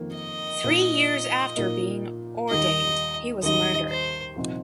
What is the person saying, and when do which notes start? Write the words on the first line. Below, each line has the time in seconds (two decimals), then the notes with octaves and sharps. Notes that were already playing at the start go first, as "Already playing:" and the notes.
Three years after being ordained, he was murdered.
Already playing: F2 D#3 A#3
0.17 D#5
0.64 A#2 A#3 D#4
1.56 A#2 A#3 D#4
2.50 D#2 D#3 G3 D#4 D#5
3.43 D#2 D#3 G3 D#4 D#5
3.90 C5
4.36 C2 A#2 F3 C4 D#4